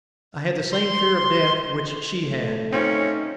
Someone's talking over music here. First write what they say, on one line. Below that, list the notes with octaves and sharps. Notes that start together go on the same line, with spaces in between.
I had the same fear of death which she had.
C6
A3
C4 C#4 D#4 F4 C#5